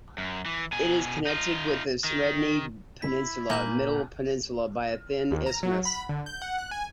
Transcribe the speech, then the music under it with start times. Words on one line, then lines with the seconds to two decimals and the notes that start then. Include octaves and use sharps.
It is connected with the Sredny Peninsula, "Middle Peninsula" by a thin isthmus.
0.18 F#2
0.46 E3
0.73 B2 G#5
1.27 D#4 F4
2.04 D#3
3.02 E4 B6
3.50 A#2 A#3 G#5 G6 F#7
5.31 D#2
5.46 A#5
5.63 F#3
5.85 B5
6.09 D3
6.26 G6
6.42 F#5
6.59 F#6
6.71 G#5